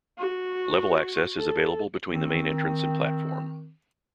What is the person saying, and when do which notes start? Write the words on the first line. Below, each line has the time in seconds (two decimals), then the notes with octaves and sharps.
Level access is available between the main entrance and platform.
0.19 F#4
1.38 A4
2.11 D#3 C4